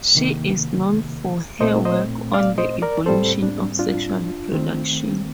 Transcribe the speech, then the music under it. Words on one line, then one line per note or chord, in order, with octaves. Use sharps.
She is known for her work on the Evolution of sexual reproduction.
C3 D#3 A#3
A#2 A3 C4 C5 D#5
C5 D#5
D5 F5
C5 D#5
A#4 D5
A2 G3 C4 A4 C5
D4
D4 F4
D#3 A3 C4